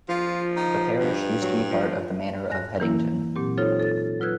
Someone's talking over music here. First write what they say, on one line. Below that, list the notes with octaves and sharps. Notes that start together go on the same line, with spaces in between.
The parish used to be part of the manor of Headington.
F3 F4
D#4
G2
F#3
F3
F2 G#2 G#5 F#6 A#6
E3 A#3 E4
A#2 F#3 C4 G4
D#4 F4 A4 C5 C#5
A4 A6
F#3 F4 B4 E6 F#6 G#6